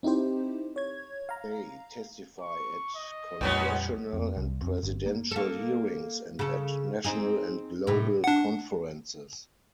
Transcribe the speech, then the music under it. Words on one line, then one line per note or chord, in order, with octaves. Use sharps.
They testify at Congressional and Presidential hearings and at national and global conferences.
C4 D#4 E4 G4 C5
C#5 G#6
F5 A#5
C#6
D#5
A#1 F2 A2 G3 B3 C#4
F2
C2
F2
G1
A#3
A#3 A4
C#3 A4
C4 D#4 G#4
A2 C3
D4 F#5